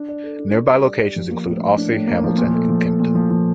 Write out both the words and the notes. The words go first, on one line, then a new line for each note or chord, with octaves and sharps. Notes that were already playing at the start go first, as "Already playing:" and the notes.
Nearby locations include Ouse, Hamilton and Kempton.
Already playing: D4
D5
A4
D4
D4
G3
D5
G3
F3
A#3
A2
A2
D4
A2
A#3
F3
A#2
A3
F3
A3
A#2
F3
F3